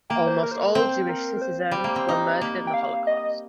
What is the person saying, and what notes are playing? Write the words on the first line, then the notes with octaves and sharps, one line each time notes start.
Almost all Jewish citizens were murdered in the Holocaust.
A#3 G5
C5
A#4
C5
A#4
C4 C5
A#4
A#4
C5
G3
A#3
C4
D#4
A#3
G5
F5
D#5